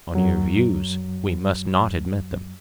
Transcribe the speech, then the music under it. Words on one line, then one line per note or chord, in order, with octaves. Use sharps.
On your views, we must not admit them.
F#2 F#3